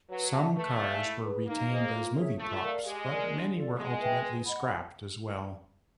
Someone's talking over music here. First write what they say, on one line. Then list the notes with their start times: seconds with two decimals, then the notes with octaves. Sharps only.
Some cars were retained as movie props, but many were ultimately scrapped as well.
0.09 F#3 B4
0.32 E5 A5
0.55 A3 B4
0.78 D5 F5 G#5
1.02 E4
1.24 G#4 B4
1.47 A#3 D#4
1.70 G#4 C5 D#5
1.93 F4
2.15 G#4 C#5 E5
2.39 A3 F4
2.61 A#4 D5 F5
2.85 G#3 G4
3.08 A#4 D5
3.31 D4
3.54 F4 A4 D5
3.76 G#3 G#4
4.00 B4 E5 G5
4.23 B4
4.45 D#5 F#5 B5